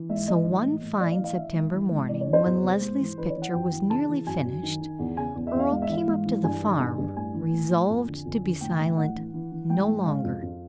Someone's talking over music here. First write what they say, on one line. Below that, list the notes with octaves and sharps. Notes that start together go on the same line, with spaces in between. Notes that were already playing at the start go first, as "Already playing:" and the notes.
So one fine September morning, when Leslie's picture was nearly finished, Earle came up to the farm, resolved to be silent no longer.
Already playing: E3
G#2 E5
G#2 D#5
E3
A2
A2
A2 D5
F5
E3
F5
E3 E5
G#2
E3
G#2
E3 D5
C#5
E3
C5
E2
C3
G#2
E3
E3 B4
C#5
E3
F#5
F#2 G5
E3
C#3 A5
E3
F#2 G#5
F#2
D#3
D#3
E2
C#3 G#5
E2
E5
E2
F5
G#2 F5
E5
E3 F5
G#2
E3
G2 G#5
D#3
G2
G2
A2 G#5
E3
A2
A2
F2
D3
F2
D3
A2 G5
A2
A2 F#5
E3
E3
E3
G#2 G5
G#2
C#3 F5
F2
F2